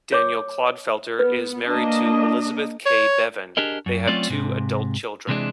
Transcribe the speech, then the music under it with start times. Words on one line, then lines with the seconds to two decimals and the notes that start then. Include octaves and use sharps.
Daniel Clodfelter is married to Elizabeth K. Bevan; they have two adult children.
0.12 C#5 D6
1.19 B3 B4
1.65 A#3 D4 D#5
2.86 C#5
3.57 D4 G4 G#4 A#4 D#5
3.86 F#2
4.08 F#3 A3 C4 C#4 F4 D5
4.30 G#2 C3
5.29 C3 E3 G#3 D4